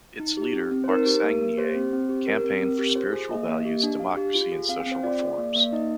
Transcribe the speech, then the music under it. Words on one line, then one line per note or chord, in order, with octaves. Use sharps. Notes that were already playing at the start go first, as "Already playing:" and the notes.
Its leader, Marc Sangnier, campaigned for spiritual values, democracy and social reforms.
D#4
G4
C4
C4
C5
D#4 A#4
G4
A#3
A#3
G4 C5
C4
C4
G4
G4 A#4
C4
C4
G4
F4 C5
G#4
A#3 D#5
A#3
G4
D4
D4 F5
G4
F4
G#4
C4 F5
G5
C4
C5
F4 D5
G#4
A#3
A#3
D#4 D#5